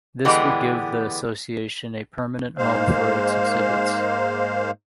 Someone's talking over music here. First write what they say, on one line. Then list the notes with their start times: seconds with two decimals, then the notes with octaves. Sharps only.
This would give the association a permanent home for its exhibits.
0.25 D3 E3 G3 G#3 B3 G4
2.58 G#2 G#3 A#3 C5 F5